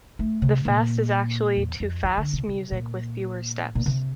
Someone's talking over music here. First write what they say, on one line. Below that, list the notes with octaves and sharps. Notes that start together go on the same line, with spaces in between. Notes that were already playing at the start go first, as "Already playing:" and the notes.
The fast is actually to fast music with fewer steps.
A3
C3
A#2
E2
F2
E3
D3
C3
C3
A#2
A#2
C3